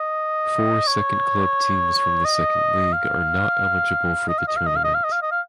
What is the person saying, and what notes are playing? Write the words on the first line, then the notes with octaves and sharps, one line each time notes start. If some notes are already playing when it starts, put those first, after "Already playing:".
Four second club teams from the Second League are not eligible for the tournament.
Already playing: D#5
C#5
D#5
F5
D#5
F5
D#5
F5
D#5
F5
D#5
F5
D#5
F5
D#5
F5